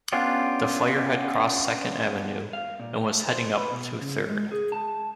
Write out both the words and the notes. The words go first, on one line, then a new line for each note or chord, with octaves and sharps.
The fire had crossed Second Avenue, and was heading up to Third.
B3 C#4 D4 F4 G4
F5
A#2
A3
C5
B4
B2
C#3
G#3
G#4
A5